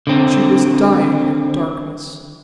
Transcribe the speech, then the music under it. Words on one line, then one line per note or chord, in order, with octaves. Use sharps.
She was dying in darkness.
D3 C4